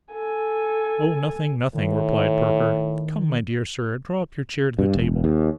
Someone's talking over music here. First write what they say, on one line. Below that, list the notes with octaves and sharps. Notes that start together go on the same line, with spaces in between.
'Oh, nothing, nothing,' replied Perker. 'Come, my dear Sir, draw up your chair to the table.
A4 G#5
A2 D#3
G2
E1
D#2